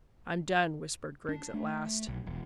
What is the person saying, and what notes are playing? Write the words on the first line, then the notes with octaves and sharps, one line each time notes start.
"I'm done," whispered Griggs at last.
D4
A3
B1
E1